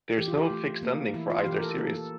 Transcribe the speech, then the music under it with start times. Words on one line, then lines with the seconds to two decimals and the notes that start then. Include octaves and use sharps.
There is no fixed ending for either series.
0.18 E3 G4
0.28 F4
0.38 G4
0.50 A3
0.82 A3 A#3
1.14 E3 E4
1.30 F4
1.46 E3 G4
1.56 A#4
1.63 A4
1.78 A#3 A4
1.95 A4